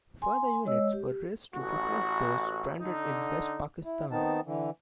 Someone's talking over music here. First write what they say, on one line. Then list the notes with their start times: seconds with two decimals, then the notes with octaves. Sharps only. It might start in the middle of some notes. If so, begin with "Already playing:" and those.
Further units were raised to replace those stranded in West Pakistan.
0.22 G#5 C6
0.65 G#3 C#5 D#5 E6
0.93 G4
1.54 A1 F#4
2.81 D3 D#4
3.85 E4
4.11 D#3 B3 C4 D#4 A5
4.46 D3 E3